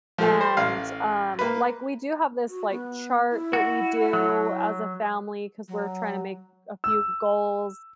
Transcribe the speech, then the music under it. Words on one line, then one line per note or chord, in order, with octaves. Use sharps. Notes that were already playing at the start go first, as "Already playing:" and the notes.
And, um, like, we do have this, like, chart that we do as a family, 'cause we're trying to make a few goals
F3 A3
C5
A1 F5
A#3 B4
F#4
B3
E4
F#4
F#3
F#3
E6